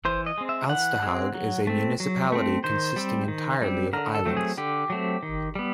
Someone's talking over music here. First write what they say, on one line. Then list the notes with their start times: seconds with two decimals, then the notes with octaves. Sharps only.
Alstahaug is a municipality consisting entirely of islands.
0.05 E3 C5
0.26 D#5
0.38 G#3 C4
0.49 E5
0.70 E3 F#5
1.03 G#3 C4
1.34 F#3
1.67 A3 C4
2.00 F#3
2.32 A3 C4
2.64 D#3 C5
2.96 G3 C4
3.28 D#3
3.62 G3 C4
3.93 D3 A#4
4.15 A4
4.26 F#3 A3 C4
4.37 G#4
4.58 D3 G4
4.90 F#3 A3 C4
5.23 D#3
5.55 G3 B3